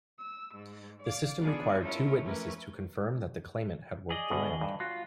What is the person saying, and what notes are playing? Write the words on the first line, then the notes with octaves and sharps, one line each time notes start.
The system required two witnesses to confirm that the claimant had worked the land.
E6
G#2
D5 F5 D6
G#3 B3 D4 F4 G#4
G#3 C#4 E4 F4 A4 A#4
E3 F3 A3 C#4 A#4 B4
G#4 D5 D#5
D2 B2
G2
F4 F#4